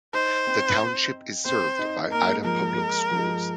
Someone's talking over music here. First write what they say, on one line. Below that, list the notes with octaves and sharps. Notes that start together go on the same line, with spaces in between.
The township is served by Ida Public Schools.
D#4 C5
C4
C4 C5
D#4
A#3 A#4
G#3
F3 A#4
G#3
G#3
F3
G#3
F3